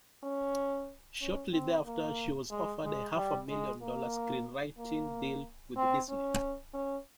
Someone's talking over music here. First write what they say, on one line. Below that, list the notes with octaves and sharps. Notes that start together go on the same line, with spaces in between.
Shortly thereafter, she was offered a half-million dollar screenwriting deal with Disney.
C#4
C#4
C4
A#3
G#3
G#3
G3
G#3
A#3
A#3
C4
C#4
C#4